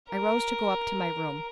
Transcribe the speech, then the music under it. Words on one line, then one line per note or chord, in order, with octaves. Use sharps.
I rose to go up to my room.
A#4